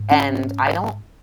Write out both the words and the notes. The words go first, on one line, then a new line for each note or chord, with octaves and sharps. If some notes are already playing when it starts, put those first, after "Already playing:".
and I don't
Already playing: G#2
C#4